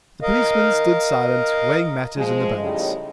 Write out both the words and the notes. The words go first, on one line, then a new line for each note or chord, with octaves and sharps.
The policeman stood silent, weighing matters in the balance.
A#4 D#5 F5
F3 G#3
A2 C#3 G3 D#4